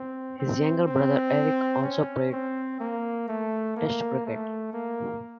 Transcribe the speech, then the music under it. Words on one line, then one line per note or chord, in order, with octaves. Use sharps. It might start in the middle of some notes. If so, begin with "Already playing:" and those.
His younger brother Eric also played Test cricket.
Already playing: C4
C4
C4
C#4
C4
A#3
A3
A#3
A3
A#3